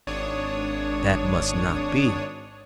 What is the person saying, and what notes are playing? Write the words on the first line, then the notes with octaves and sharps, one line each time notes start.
That must not be!
G#1 D4 C#5 D#6